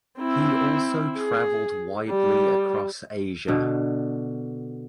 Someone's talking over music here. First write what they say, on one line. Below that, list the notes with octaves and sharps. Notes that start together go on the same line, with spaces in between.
He also traveled widely across Asia.
C4 E4
G#4
G3
B2 D3